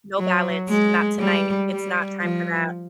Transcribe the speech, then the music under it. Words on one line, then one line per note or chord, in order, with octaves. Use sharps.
No ballads, not tonight. It's not time for that.
F#3
G#3
G3
G3
F3